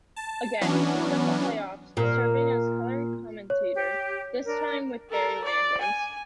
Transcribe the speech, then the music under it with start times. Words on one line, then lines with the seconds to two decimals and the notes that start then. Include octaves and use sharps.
Again, he spent the playoffs serving as color commentator, this time with Barry Landers.
0.16 A5
0.61 E3 F#3 B3 C#4 D4
1.97 A#2
3.50 C#5
3.75 G4
4.46 D4 A#4
5.10 A4 A#4
5.44 D5
5.81 G#5